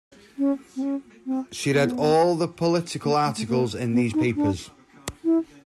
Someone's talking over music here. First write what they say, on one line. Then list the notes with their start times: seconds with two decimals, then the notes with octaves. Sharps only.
She read all the political articles in these papers.
0.38 C#4
0.76 C4
0.82 C#4
1.26 C4
1.71 B3
3.04 A#3
3.25 A3
3.37 A3
3.48 A#3
3.92 B3
4.14 D#4
4.36 D4
5.25 E4